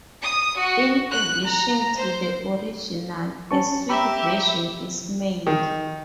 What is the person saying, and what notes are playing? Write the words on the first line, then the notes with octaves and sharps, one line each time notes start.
In addition to the original, a sweet version is made.
D#6
F#4
F#6
A#5
C5
C#4 A5 C#6
G4 E5 A#5 B5 E6
D#3